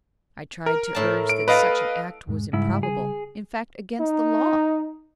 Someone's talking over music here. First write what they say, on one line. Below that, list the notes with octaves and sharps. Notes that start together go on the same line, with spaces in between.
I tried to urge that such an act was improbable; in fact, against the law.
A#4
A2 A5
D7
A4 B4 D#5 F5 A#5
E1 G#2 G#3
G#2 C#3 G3 E4
G#4
D#4